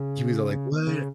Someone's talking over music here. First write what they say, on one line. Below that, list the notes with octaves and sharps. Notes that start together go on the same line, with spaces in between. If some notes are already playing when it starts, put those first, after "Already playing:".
he was all, like, "what?"
Already playing: C#3
C#3